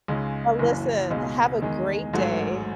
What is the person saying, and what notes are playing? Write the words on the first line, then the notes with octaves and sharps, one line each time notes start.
Well, listen, have a great day.
C#2 C#3 G#3 D#4
F#1 F#2 E3
C#2 B2 G#3 D#4
E2 D#3 G#3
A1 G#2 F#3 A3